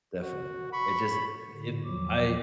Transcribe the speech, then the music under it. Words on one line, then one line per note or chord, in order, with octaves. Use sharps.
Definitely. It just, it if I
F#4
B5 C#6
A2 D3
E2 F3 F#3 D6